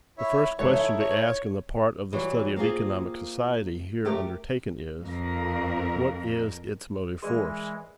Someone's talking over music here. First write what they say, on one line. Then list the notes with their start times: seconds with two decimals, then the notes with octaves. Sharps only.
The first question to ask in the part of the study of economic society here undertaken is: What is its motive force?
0.18 E4 C#5 E5
0.59 C#2 E3 D#4 A4 C#5
0.74 E4
1.00 C#5
2.13 E3 F#3 G3
2.56 A#3 C4 F4 G#4
4.05 A3 G4 A#4
5.03 F2 A#4
7.22 E3 G#3 G#4 A#4 D5 C6